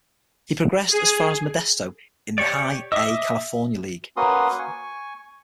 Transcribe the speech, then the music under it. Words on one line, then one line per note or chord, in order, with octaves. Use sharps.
He progressed as far as Modesto in the High A California League.
G#4
G4 C#5 D5
D#5 E5 D6 E6
A#3 C#4 F#4 B4 C6 D#6
G#5 C#6